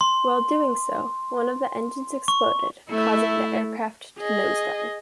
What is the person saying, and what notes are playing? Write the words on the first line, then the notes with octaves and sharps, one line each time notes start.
While doing so, one of the engines exploded, causing the aircraft to nosedive.
C6
C#6
A3 E4
G#4 D#5